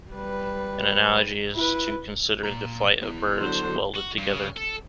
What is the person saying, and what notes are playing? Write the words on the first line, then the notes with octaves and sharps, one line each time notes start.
An analogy is to consider the flight of birds 'welded' together.
G3 B4
E4 B4
A#2 A#5
B3 E4
D3 F#3 C5
F#4
G2
C#3
A4